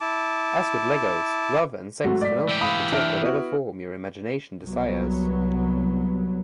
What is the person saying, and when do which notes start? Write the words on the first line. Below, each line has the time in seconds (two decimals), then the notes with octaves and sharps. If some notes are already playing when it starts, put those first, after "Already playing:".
As with Legos, love and sex can ultimately take whatever form your imagination desires.
0.01 E4 A5 D6
2.04 G#2 F#3 A3 F#4
2.21 D5 B6
2.49 E3 G4
2.61 F5 B5 D#6
2.92 D4 E5 F6 D7
3.22 B3 E4 F#4
4.64 C2 F#3 B3